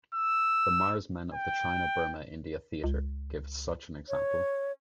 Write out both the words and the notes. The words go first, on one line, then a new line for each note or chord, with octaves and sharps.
The Mars Men of the China Burma India Theater give such an example.
E6
G5
C#2
C#5